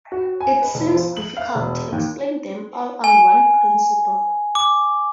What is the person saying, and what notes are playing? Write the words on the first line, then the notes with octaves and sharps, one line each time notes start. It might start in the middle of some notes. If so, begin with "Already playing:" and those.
It seems difficult to explain them all on one principle.
F#4
G#5
B4
E1
F3
F#7
F5
E1
D#2
G#5
D6